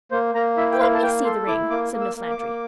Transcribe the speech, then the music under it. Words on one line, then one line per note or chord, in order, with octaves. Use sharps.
"Let me see the ring," said Miss Lantry.
A#3 C5
A#3 A#5
E4 E5
G5
A#3 F5
A5
A#3 G5
A4 C6
E4 D6
A#3 D6
A#3
E6
A#3
D6
A#3